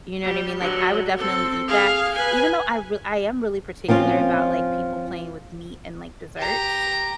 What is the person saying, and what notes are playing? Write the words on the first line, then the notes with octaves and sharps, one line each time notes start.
You know what I mean? Like, I would definitely eat that. Even though I r I am really particular about, like, people playing with meat and, like, desserts.
G3
D3 F#3
C4 A4
G#4 F5
B4 G#5
F3 C4 C#4 F4
G4 A#5